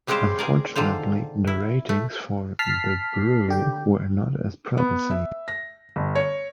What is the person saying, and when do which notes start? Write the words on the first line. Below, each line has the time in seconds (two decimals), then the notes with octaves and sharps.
Unfortunately, the ratings for "The Brew" were not as promising.
0.07 C#3 G3 G#3 C4 G4 C5
0.39 G#4 A#4 D5
0.76 A#2 D3 D#3 F4 C5
1.47 E4
1.89 A3
2.59 A5 F6 B6 C7
3.48 D3 G4 G5
4.78 B3
5.11 E5
5.48 A#6
5.96 G1
6.15 C#5